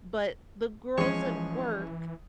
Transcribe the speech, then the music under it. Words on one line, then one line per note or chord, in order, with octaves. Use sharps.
But the girls at work
E3 F3 G#3 C#4 G#4 C#5